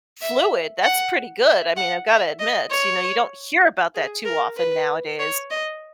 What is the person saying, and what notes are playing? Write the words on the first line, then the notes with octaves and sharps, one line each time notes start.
fluid, that's pretty good. I mean, I've gotta admit, you know, you don't hear about that too often nowadays.
E5
F#5
E5
F#5
E5
D#5
C#5
G#4
A#4
B4
C#5
D#5